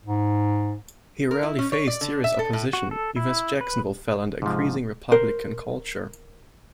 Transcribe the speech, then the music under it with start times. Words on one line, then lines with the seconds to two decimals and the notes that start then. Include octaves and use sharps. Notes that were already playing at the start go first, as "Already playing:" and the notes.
He rarely faced serious opposition, even as Jacksonville fell under increasing Republican influence.
0.05 G#2
1.31 A#4
1.43 E4
1.59 C#4
1.72 C#5
1.87 D5
2.01 D3
2.24 E5
2.39 A4
2.53 A2
2.73 F#4
2.91 A4
3.16 E4
3.61 B4
4.42 G#2 C3 F3 G#3
5.12 A#4 C5